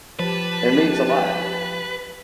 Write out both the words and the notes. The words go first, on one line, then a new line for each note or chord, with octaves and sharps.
It means a lot.
F3 G4 B4 A5